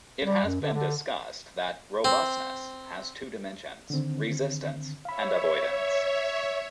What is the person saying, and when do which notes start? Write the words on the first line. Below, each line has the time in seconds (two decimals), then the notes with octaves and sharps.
It has been discussed that robustness has two dimensions: resistance and avoidance.
0.22 G3
0.45 F#2
0.61 D3
0.74 D3
2.05 C4
3.90 D3 D#3 C4
5.05 C#5 E5 F5 B5